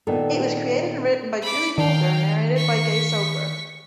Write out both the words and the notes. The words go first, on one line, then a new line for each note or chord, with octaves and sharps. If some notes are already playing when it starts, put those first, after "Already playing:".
It was created and written by Julie Holder and narrated by Gay Soper.
A#2 D#3 B3 F4 A4
B5 D6
D#3 F5 G5
C#6 B6